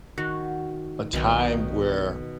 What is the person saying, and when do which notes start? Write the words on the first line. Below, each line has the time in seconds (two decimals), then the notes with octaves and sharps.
a time where
0.18 D#3 F#4
1.13 B1 B2 D#3 D#4